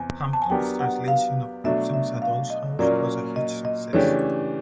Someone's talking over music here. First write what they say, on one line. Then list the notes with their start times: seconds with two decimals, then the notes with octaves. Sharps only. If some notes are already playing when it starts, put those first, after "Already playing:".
Hampton's translation of Ibsen's "A Doll's House" was a huge success.
Already playing: E2 C3 G#5
0.33 A5
0.42 G#5
0.50 F#3 B3 D4 G4 A#4 G5
0.79 F#5
1.08 F5
1.64 B2 F#3 A3 D4 E5
1.94 E5
2.22 F5
2.50 D#5
2.79 A#2 F#3 A#3 C#4 D5
3.36 D#5
3.65 D#5
3.93 C#3 E3 A3 D4 G4 C#5